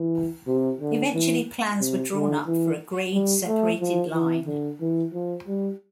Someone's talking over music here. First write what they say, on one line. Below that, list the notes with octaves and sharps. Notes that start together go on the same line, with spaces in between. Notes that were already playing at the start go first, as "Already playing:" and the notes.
Eventually plans were drawn up for a grade-separated line.
Already playing: E3
C3
D3
E3
C3
D3
E3
G3
A3
F3
E3
D3
E3
F3
G3